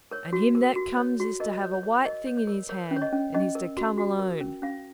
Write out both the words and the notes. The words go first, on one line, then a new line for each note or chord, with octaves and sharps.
And him that comes is to have a white thing in his hand, and he's to come alone.
A#4 C#5
F#4
A#4
F#4
C#5
F#4
A#4 D#5
C#5
C#5
C#5
A#4 D#5
C#5
C#5
A#4
A#4 C#5
C#4
C#5
D#5
C#4
C#4 D#5
A#4
F#4
F#4
A#4
C#4
C#4 F5